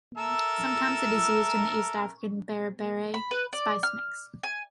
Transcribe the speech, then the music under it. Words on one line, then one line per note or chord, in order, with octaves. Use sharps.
Sometimes it is used in the East African "berbere" spice mix.
A4 A#4 E5
B5
B4
D5
F6
G#5